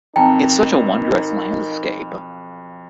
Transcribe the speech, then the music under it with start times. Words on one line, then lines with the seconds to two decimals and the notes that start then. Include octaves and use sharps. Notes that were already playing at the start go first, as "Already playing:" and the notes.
It's such a wondrous landscape.
0.16 B1 F2 C4 D#4 A#4 G5 A5 A#5